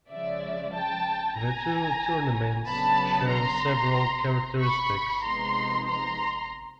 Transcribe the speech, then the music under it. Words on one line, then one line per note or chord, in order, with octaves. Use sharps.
The two tournaments share several characteristics.
C#3 F3 G#3 D5 E5
G5 A5
G#5 A#5
C#3 F#3 B3 D4 A5 B5
A#5 C6
B5 C#6
C3 F3 G#3 B3 D#4 A#5 C6
A#5 C6